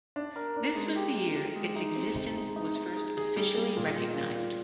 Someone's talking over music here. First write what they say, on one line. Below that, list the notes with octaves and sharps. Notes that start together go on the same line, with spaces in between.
This was the year its existence was first officially recognized.
D4
A#4
D4
G#3
G4
G4
G4
G#3
D#4
C4
D#4
G#3
D#4
D#4
G#4
G#4
G3
G3
A#2
A#2
A#2
F4